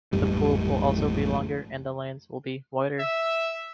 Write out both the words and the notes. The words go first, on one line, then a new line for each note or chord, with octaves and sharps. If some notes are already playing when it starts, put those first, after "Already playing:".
The pool will also be longer and the lanes will be wider.
A1 F2 G#2 G3
E5